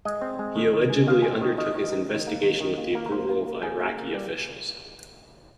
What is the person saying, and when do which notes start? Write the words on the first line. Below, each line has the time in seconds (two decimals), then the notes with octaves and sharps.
He allegedly undertook his investigation with the approval of Iraqi officials.
0.05 G#3 D#5
0.21 C4
0.39 G#3
0.56 D#3
0.73 D#3
0.90 G#3
1.07 D#3 F5
1.22 C4 G#5
1.33 G5
1.41 D#3
1.58 D#3 D#5
1.76 D#3
1.84 D#5
1.92 D#3
2.09 D#3
2.27 A#3
2.43 D#3
2.61 D#3
2.78 A#3
2.95 A#3
3.06 A#4
3.12 A#3 C5
3.29 A#3
3.46 A#3
3.63 A#3 G#4
3.80 A#3
3.98 A#3
4.14 G3